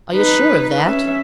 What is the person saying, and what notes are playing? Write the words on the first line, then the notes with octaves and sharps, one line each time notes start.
"Are you sure of that?"
D#4 B4
C#4 E5